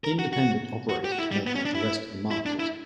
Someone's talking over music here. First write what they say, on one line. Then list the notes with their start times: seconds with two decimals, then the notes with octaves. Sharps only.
Independent operators make up the rest of the market.
0.04 A#4
0.19 F#4
0.33 F#4
0.89 F#4
1.05 G4
1.12 F#4
1.19 E4
1.32 G3
1.47 B3
1.56 C#4
1.65 D4
1.75 E4
2.31 E4
2.46 D4
2.60 E4